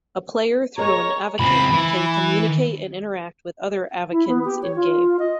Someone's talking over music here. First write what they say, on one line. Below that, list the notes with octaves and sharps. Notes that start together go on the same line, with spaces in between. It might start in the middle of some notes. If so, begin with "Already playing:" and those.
A player through an Avakin can communicate and interact with other Avakins in game.
G#4 A#4 C#5 D#5 A#5
C#2 C4 B5
E3
E4
B3
G4
C#5
F4
D#5